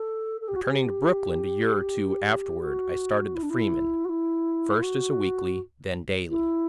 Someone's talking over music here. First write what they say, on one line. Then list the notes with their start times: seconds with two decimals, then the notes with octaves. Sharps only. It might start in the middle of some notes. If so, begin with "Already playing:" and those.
Returning to Brooklyn a year or two afterward I started the "Freeman," first as a weekly, then daily.
Already playing: A4
0.40 A4
0.48 G4
0.55 F#4
0.62 G4
2.61 F#4
3.34 E4
3.42 D4
3.49 E4
4.04 F#4
4.08 E4
4.82 F#4
6.29 E4